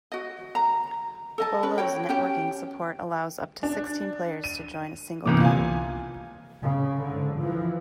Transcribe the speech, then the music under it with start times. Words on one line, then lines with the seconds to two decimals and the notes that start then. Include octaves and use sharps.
"Bolo"'s networking support allows up to sixteen players to join a single game.
0.12 F#4 D#5
0.55 A#5
1.38 A4 D#5 A5
1.63 C#4 B4
1.78 F#4 C#5 G5
2.09 C#4 G4 G5
3.63 D4
4.44 D#7
5.26 G1 C2 C3 E3 A#3 D6
5.40 F4 G#5
5.60 C2
6.61 C#3
7.05 G#2 D3
7.38 E3 F3